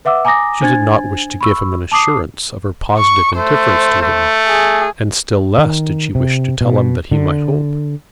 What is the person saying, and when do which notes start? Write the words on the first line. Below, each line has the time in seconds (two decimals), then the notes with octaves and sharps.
She did not wish to give him an assurance of her positive indifference to him--and still less did she wish to tell him that he might hope.
0.05 B4 E5 F#5 D6 E6
0.25 G#5 A#5 D6 D#6 A#6
0.61 D4 C5 G#5 G#6 A6
1.41 B5 C#6 E6
1.92 A5 D6 D#6 C7
2.98 C#6
3.37 A3 C5
4.02 A3
4.47 G#4
5.58 D#3
6.15 C3
6.61 B2
7.11 D3